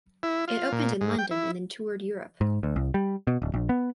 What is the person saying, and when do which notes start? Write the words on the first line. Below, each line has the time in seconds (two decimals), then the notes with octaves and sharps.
It opened in London and then toured Europe.
0.23 E4
0.48 F4
0.72 A#2
1.01 G#2
1.18 G5
1.31 E4
2.41 G#2
2.63 D2
2.76 C2
2.94 G3
3.27 B2
3.42 D1
3.54 A#1
3.69 B3